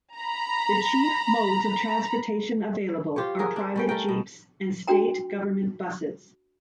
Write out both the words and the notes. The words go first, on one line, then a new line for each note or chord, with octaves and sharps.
The chief modes of transportation available are private jeeps and state government buses.
A#5 B5
F4 G4 C5 C#5
C#4 G#4 A#4
C4 D4
G3 C#4 G5
A3 A#4 G5
B2
D4 F#4 G5 A#5